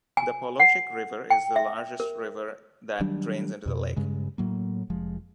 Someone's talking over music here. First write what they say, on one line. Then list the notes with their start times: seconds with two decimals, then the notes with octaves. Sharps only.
The Polochic River is the largest river that drains into the lake.
0.17 G#5
0.60 F#5
1.30 G5
1.56 E5
2.00 A#4
3.00 D#3 F#3 G3 D4
3.66 F2 B2
3.96 G2 C#3 G#3
4.38 A2 F#3 A#3
4.90 F1 F3 G#3